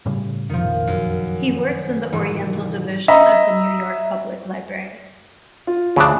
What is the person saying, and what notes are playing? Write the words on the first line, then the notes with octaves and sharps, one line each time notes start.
He works in the Oriental Division of the New York Public Library.
A2 C#3 G3
F1 A#1 D#3 F3
F#2
C2 G#2 E3
D#5 E5 A#5 B5
F4
D2 C#3 D4